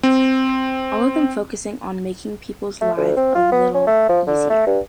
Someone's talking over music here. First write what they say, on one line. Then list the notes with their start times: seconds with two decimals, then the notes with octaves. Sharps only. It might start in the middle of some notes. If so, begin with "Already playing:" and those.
All of them focusing on "making people's life a little easier".
0.03 C4
2.81 A3
2.97 D2
3.17 C4
3.35 F4
3.52 B3
3.74 C#4
3.87 A3
4.09 F3
4.27 D3
4.50 A3
4.67 G2